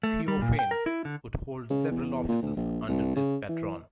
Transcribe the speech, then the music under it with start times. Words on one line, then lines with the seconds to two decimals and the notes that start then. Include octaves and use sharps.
Theophanes would hold several offices under this patron.
0.03 A3
0.28 G3
0.42 A#2
0.59 G5
0.71 A#4
0.86 E4
1.05 D3
1.70 C#3
1.91 E2
2.28 A#2
2.42 D2
2.57 A#1
2.88 C2
3.16 C#3
3.49 E3